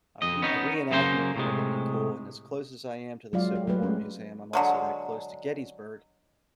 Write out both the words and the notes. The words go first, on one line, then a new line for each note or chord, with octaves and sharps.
A re a reenactment would never be cool, and as close as I am to the Civil War Museum, I'm also that close to Gettysburg
F2 D#5
B3 C#4 D#4
F#2 C#3 A#3 A4 C5
A2 C3 G#3
F#3 G#3 F4 D5 F5
G4
F#3 A3 B4
G#3 C#4
D3 F#3 G#3